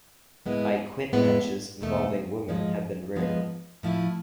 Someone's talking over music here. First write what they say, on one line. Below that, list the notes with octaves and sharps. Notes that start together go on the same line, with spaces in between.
"I Quit" matches involving women have been rare.
A2 G#3 B3 E4
A2 G#3 B3
E2 B2 A3
G#2 F3 G#3
G#2 F3 G#3 B3
A2 F3 A3 E4